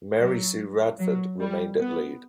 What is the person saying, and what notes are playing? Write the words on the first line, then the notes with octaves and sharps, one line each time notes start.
Mary Sue Radford remained at lead.
F#3
F#3
G3
B3